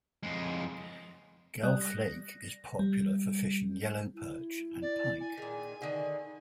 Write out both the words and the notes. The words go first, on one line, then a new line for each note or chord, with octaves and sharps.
Guelph Lake is popular for fishing yellow perch and pike.
F2 G#3
G3 D5 D#6 F#6
A#6
G3
E4
D5
G#5
A#2 D#3 G#4
D3 D#3 D#4